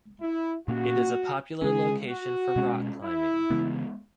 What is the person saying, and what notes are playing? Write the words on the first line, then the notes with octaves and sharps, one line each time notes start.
It is a popular location for rock climbing.
E4
A#2 A#3 C#4 F#4
C#3 G#3 C#4 G#4
F#4
B2 G#3 C#4
E4
C#3 E3 G#3 B3